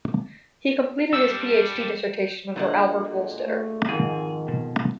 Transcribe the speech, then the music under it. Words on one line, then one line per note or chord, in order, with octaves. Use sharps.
He completed his PhD dissertation under Albert Wohlstetter.
G3 D4 E6 G6 C#7 E7
D2 A#2 D3 G#3 F#5
A3
F2 G#2 D#3 G#4
B2